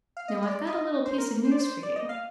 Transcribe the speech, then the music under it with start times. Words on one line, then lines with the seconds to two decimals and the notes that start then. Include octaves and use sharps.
Now I've got a little piece of news for you.
0.17 F5
0.28 D#5
0.43 D#5
0.48 D5
0.67 D#5
1.06 C5
1.18 A#4
1.44 C5
1.52 D5
1.60 C5
1.83 D5
1.96 D#5
2.09 F5